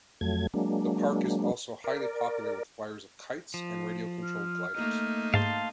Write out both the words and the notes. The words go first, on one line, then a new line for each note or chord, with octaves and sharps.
The park is also highly popular with flyers of kites and radio-controlled gliders.
F2 F#3 A3 G#6
F#3 G#3 A#3 D4
A#4 D5
F3
F6
A3 A#3 D#4
G#2 F5 A5 C6